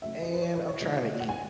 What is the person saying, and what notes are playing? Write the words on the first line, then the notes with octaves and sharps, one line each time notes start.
"Man, I'm tryna eat
C#3 F#3 A3 E5
D#5
B4
C#5
B4
C#5
B2 G#3 D#4 D#5
F#5
G#5